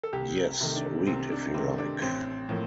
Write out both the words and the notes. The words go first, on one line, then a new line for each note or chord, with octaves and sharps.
Yes, read if you like.
A4
C2 G4
C3 D#3 A3
D4
C2 C4
D4
C3 D#3 A3 C4
D4
A1 C4
A2 F3 A#3